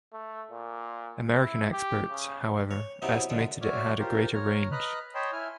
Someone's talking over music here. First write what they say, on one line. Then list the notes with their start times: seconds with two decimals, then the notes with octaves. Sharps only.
American experts, however, estimated it had a greater range.
0.13 A3
0.51 A#2
1.41 E4
1.72 G4
2.10 C#3
2.71 C#5
3.02 C3 F#3 B3 D#4 E4 G4
3.30 F#2 A#2 D3 D#3
3.62 F#4 C#5 D5 E5 D6 F6
3.99 F4 G4 A#4 C5
4.33 C#5 A#5 F6
4.72 B4 D#5 A#5 B5 F6 F#6
5.15 C#5 D#5 G5 A5 B5 C6
5.32 E4 G#5 F6